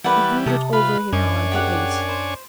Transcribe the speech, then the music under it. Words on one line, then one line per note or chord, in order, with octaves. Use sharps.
He brooded over him while he ate.
E3 G3 B4 D5 F#5
C3 A4 D#6
F4 B4 B5
F#2 D4 C#5 D#5 G#5
G4 G#4 F#5
C5